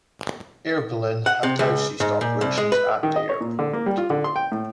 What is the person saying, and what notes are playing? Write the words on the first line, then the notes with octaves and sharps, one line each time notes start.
Air Berlin have now ceased operations at the airport.
F#5
C3
C#2
G#2
A#2
C2
G#3
B4
D#3
D#5
C#5
A#2
D3
A#3
G3
F4
D3
C6
G5
A2